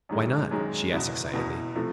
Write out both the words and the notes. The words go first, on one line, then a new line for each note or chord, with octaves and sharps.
"Why not?" she asked excitedly.
F#2 D#3 G#3
F#2 D#3 G#3
F#1 E2 B2
F#1 E2 B2
C3 F3 A3